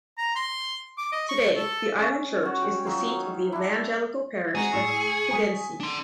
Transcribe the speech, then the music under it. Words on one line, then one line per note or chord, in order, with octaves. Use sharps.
Today the island church is the seat of the Evangelical parish of Hiddensee.
A#5
C6
D6
D#5
C#6
A4
C#4
F#4 C#5
G5
F#3 D#4 F4
D4 E4
G#3 C4 F#4 G#4 A#5
A2 C#6 E6 E7
G#5 D#6 B6
D4 C6